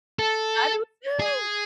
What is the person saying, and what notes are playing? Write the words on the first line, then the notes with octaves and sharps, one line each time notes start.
I do too!
A4
G#4